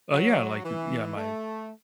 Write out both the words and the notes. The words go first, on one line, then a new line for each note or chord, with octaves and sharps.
Uh, yeah, like, yeah, my,
F#3
E3
A3